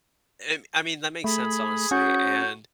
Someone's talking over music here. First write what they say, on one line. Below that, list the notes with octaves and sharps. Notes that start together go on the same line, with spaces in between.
And, I mean, that makes sense, honestly, and,
A3 G#4 B5
C#4 F#4 G6